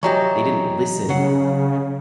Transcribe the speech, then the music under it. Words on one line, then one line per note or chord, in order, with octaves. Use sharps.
they didn't listen
E3 F#3 G4 D#5 A#5 C#6
C#3 F#3 F#5